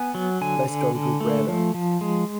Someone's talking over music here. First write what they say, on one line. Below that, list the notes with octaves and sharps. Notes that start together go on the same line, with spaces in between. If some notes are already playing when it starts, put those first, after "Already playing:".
Let's go to Breda.
Already playing: B3 G#5
F#3
D3 G#5
D3
D3
A3
F3
F3
G#3